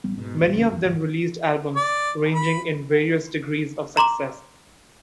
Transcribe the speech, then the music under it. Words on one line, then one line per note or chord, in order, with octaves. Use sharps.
Many of them released albums, ranging in various degrees of success.
A1 G3 B3
G#2 B2
A#1 D#2 A2
B1 E2 C#3
G1 F2
G1 D2 G#2 F3
D5
B5
A#5 C6 D6 E7